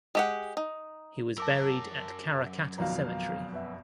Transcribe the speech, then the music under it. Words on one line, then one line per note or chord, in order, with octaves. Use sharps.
He was buried at Karrakatta Cemetery.
G#3 G4 F#5
D#4
F#2 A#4 A5 D6 E6
G#1 F2 B2 F5 A#5
B3 E5